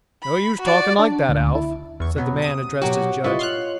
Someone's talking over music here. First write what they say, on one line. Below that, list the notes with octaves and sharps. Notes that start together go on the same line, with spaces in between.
"No use talkin' like that, Alf," said the man addressed as Judge.
B5
F#4 D5
D4
D2
E4
E2 C#6
B2 F#3 B3
C3 D#6 D#7
B2 F#3 F#4 G4 D6
G3 E4 F4 B4 C#5 D#5
C6 F6 F#6